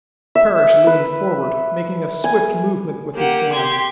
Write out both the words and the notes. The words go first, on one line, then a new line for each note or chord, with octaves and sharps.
Parrish leased forward, making a swift movement with his hand.
E5
B4
G#5
A#3 G4 F#5
G4 C6 G#6